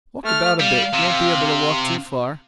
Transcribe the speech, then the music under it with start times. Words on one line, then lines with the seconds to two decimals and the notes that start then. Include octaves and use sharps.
Walk about a bit, you won't be able to walk too far.
0.24 A3 F6
0.60 G3 F5
0.93 C3